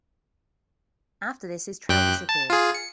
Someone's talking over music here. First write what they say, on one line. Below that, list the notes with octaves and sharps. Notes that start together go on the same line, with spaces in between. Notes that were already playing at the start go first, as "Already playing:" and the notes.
After this, his trail disappears.
F#2 G5 F#6
A5
F4 G#4
C#7